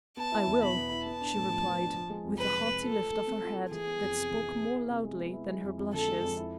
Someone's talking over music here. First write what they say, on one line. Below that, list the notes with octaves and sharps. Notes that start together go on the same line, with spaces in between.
"I will," she replied, with a haughty lift of her head that spoke more loudly than her blushes.
B3 A5
E4
E2
B2 B5
B3
E4
B3 A5
D4
A2
F3
B3
D4
F3
G#3
F2
C3 B4
F3
G#3
F4 A4
A3
A3
C4
F4
A3
E3 G#4
B3
F2
C3
E3
B3
B3
E4
C3
G#3
B3
E4
G#3
F2
F2
D3 A4
G#3
F2
E4